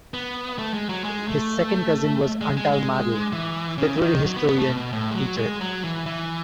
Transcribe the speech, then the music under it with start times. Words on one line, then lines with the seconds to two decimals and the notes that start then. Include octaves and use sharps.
His second cousin was Antal Mádl literary historian, teacher.
0.14 B3
0.59 A3
0.74 G#3
0.89 F#3
1.04 G#3
1.28 A3
2.41 G#3
2.57 G#3
2.72 G#3
3.33 E3
3.78 C#3
3.97 E3
4.01 D#3
4.25 F#3
4.36 B3
4.47 B3
4.58 A3
4.69 B2
4.93 A2
5.11 G#3
5.15 F#3
5.38 G#3
5.61 F#3
5.84 E3
6.06 E3